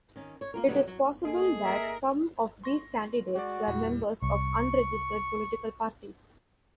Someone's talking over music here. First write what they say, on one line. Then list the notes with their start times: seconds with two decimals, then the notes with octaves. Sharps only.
It is possible that some of these candidates were members of unregistered political parties.
0.16 D#3 C#4
0.41 C#5
0.54 A#3 F4 A#4
0.67 B2 D3 D#3 F#3 G3 B3
0.88 F#3
1.24 A#3 G#4 A4 D#5
1.64 A#4 E5
2.64 C6 C#6 A#6
3.36 G#3 F#4 D5
3.68 E2 A#2 G3 E4
4.23 C2 C#6